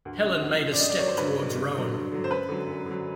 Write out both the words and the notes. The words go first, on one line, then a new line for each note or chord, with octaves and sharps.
Helen made a step towards Rowan.
D2
C#3 F3
D2
C#3 F3
D5
G2 D#5
D5
D#3 F#3 C#5
C5
G2 B4
D#3 F#3
G2
D3 F#3
G2
D3 F#3
C5
F#2 B4
D3 F#3
F#2
D3 F#3